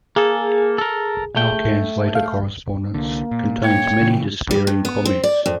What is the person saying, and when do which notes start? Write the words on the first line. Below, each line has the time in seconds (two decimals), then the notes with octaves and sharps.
Alkan's later correspondence contains many despairing comments.
0.16 A#3 G#4 A4
0.78 A4 A#4
1.36 A3 G5
2.15 F5
2.94 C2 D3 A#3
3.31 A#2
3.64 C#5 G5
4.01 C#3 E3
4.51 G3
4.67 G2
4.85 B3
5.05 C4
5.24 D5
5.46 F2